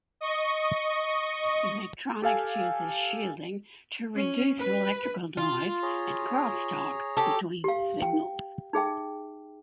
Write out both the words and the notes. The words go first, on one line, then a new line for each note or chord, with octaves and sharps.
Electronics uses shielding to reduce electrical noise and crosstalk between signals.
D#5 C#6
G4 A4 F5 G#5
C#4
B4
F4
G#4 C#5 A#5
G4 A4
G4 F5
G5
D#4 G#4 E5 G5